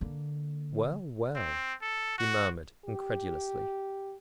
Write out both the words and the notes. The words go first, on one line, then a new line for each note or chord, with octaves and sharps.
"Well, well!" he murmured incredulously.
D3 A#3
C4
A4
F#4
G4